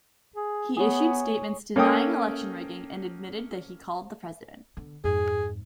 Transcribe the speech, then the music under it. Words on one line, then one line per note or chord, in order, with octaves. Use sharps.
He issued statements denying election rigging and admitted that he called the President.
G#4
B3 G#4 C#5
A#3 C#4 A4 G5 D#6
D3 B3
F2 G#2 G#4